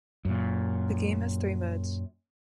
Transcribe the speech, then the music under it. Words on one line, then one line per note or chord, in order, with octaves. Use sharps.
The game has three modes.
F#2 A#2